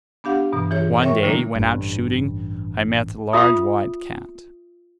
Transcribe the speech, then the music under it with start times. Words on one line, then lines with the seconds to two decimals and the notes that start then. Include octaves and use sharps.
One day, when out shooting, I met a large white cat.
0.24 B3 D4 G4 F5 F#5
0.52 G2 B2 E3
0.71 E3 F4 G#4 C#5
1.02 A#4 C#5 E5 G5 C#6
1.23 D3 E3 G3 A#3 D4 E4
1.55 A1 G2
3.33 F4 E5 B5 D#6